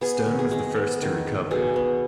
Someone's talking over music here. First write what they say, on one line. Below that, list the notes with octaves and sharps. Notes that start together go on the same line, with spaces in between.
Stone was the first to recover.
B3 G#4
D#3
G#4
G#3
B3
D#3
G#3
B2 G#4
B3